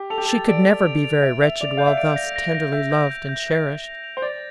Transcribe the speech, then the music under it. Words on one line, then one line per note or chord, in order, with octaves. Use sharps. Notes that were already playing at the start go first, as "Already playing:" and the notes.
She could never be very wretched while thus tenderly loved, and cherished.
Already playing: G4
A4 F7
G4
A4
A6
D5 D7
A6
F7
F7
E5 D7
E5 F7
D5 F7
F5 G6
E5
D5 D7
A#6
A#6
A#6
E5 G6
G6
G6
G6
G6
G6
F7
F7
C5
D5 A6